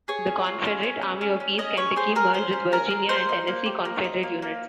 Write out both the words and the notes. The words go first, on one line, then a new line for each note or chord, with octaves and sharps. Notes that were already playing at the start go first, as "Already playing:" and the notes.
The Confederate Army of East Kentucky merged with Virginia and Tennessee Confederate units.
G#4 C#5
C#4
F4
C#4
C#4
C#4
C#4
C#4
C#4 D#5
C#4 C#5
G#4 C5
G#4 A#4
C#4 C5
C#4
C#4 A#4
G#4
A#3 C5
D#4
A#3
G4
A#3
D#4
A#3
A#3